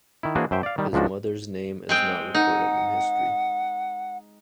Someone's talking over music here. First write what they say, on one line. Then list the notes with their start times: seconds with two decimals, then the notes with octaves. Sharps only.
His mother's name is not recorded in history.
0.23 D#3 E4
0.35 E3 A#3 D4 F#4 G#4 C5
0.51 F#2 C5 E5 G5
0.63 D5 F5
0.78 D#3 G3
0.93 C#2 G#2 F3 D4 F#4
1.89 G#3 C4 G5
2.35 D#4 F#5